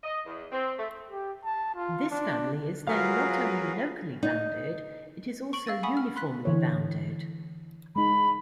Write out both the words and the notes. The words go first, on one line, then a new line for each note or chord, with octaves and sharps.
This family is then not only locally bounded, it is also uniformly bounded.
D#5
E2
C4
A3
G4
A5
F4
D4
F#3 F4 F#4 G#4 A#4 B4 F5 F6
D#4
C#6 D7 F#7
F5 E6 A6 D#7
F#5 G#5 B5 C#6 D#6 B6
F6
B5 C6 F#6 B6
D3 E3 C#5
G#3 D#4 B5